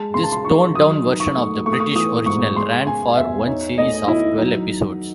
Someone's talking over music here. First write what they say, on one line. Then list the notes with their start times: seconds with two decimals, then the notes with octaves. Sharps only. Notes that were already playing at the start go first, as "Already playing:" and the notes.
This toned-down version of the British original ran for one series of twelve episodes.
Already playing: G#3 A5
0.14 C#3 C6
0.24 A5
0.32 C6
0.45 D#4 C#6
0.75 F#3 D#6
1.05 D#3
1.20 C#6
1.36 A3
1.66 A3 C#6
1.73 D#6
1.80 C#6
1.96 E3 D#6
2.26 G#2 C#6
2.56 G#3 C6
2.87 C#3 G#5
3.17 E2 E5
3.47 D#4 C#5
3.77 A3 D#5
4.08 D#3 E4
4.38 F#3 D#4
4.68 D#3